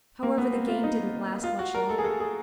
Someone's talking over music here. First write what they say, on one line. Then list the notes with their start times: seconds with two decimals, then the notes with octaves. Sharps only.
However, the game didn't last much longer.
0.23 A#3
0.38 B3
0.53 C4
0.68 F4
0.83 D#4
1.44 F4
1.59 F#4
1.75 A#4
1.89 A4
1.98 G#4
2.04 A4
2.20 G#4